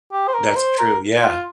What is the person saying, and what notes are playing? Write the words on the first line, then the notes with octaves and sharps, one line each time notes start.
That's true, yeah.
G4
C5
A#4
C5
A#4
F4